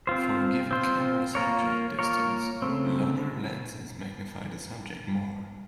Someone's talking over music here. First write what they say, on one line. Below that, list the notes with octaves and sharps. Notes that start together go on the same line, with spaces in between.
For a given camera-subject distance, longer lenses magnify the subject more.
C4 F4 C5
C4 F4 C5
A#3 F4 A#4 C#5
A#3 F4 A#4 C#5
C#3 A3 C4